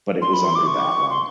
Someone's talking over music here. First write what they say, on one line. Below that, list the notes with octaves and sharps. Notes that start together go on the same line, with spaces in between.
but it was under that one.
C6
B5
C6
D6
C#6
C6